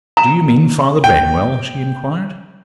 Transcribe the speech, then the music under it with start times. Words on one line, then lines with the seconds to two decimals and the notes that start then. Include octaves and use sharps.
"Do you mean Father Benwell?" she inquired.
0.17 A#5
1.04 G5